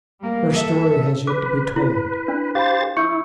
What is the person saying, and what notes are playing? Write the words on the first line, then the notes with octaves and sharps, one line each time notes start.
Her story has yet to be told.
G3 A#3
A4 E5
B4 D6
E4 B4
D4
G4 C5 F5 B5 A6
E4 C#6 G6 C#7